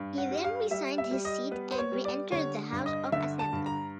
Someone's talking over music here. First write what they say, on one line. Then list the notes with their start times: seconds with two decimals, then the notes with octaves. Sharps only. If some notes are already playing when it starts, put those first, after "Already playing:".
He then resigned his seat and re-entered the house of assembly.
Already playing: G2
0.18 F#5
0.31 G3
0.44 F5
0.71 G3 E5
0.98 E5
1.11 G3
1.25 D#5
1.51 B3 B4
1.71 C5
1.78 C#5
1.92 G3
2.05 D5
2.32 D3 C#5
2.72 G2
2.86 D#5
3.12 D3 E5
3.39 A5
3.53 G2
3.66 A#5